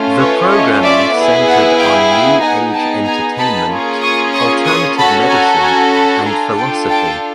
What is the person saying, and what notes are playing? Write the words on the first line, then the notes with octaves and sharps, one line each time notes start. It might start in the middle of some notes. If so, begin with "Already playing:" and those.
The programming centered on new-age entertainment, alternative medicine, and philosophy.
Already playing: A3 C#4 F4
B4 C#5
C#5 D#5
D5 E5
B3 E4 G#4
E5 F#5
F5 G5
F5 G5
B3 D#4 G#4 F#5 G#5
G5 A5
G#5 A#5
A5 B5
A#3 C#4 F4 G#4
C#6 D#6
C#6 D#6
C#6 D#6
C#4 F#4 A4 A5 B5
G#5 A#5
G#5 A#5
A5 B5
D4 F4 A4 G#5 A#5
G5 A5
G5 A5